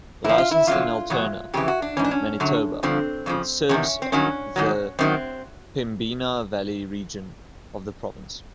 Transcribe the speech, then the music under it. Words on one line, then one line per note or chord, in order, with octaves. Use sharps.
Licensed to Altona, Manitoba, it serves the Pembina Valley region of the province.
A#2 F3 E4
F4
E4
F2 D3 F#3 F4
E2 B2 F#3
F2 C#3 E3 G4
F#4
D4
G#2 E3 C#4
D4
C#4
F#2 D3 F#3
G2 D3 F3 C4
F2 C#3 F3
E2 C3 D#3 C#4
C4
G2 D#3 F#3 C#4
G#2 D#3 F#3
F#2 D#3 F#3 C4